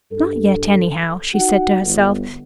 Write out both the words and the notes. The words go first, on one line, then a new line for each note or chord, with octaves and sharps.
"Not yet, anyhow," she said to herself.
G2 A4
D#4 F#4 F#5
G1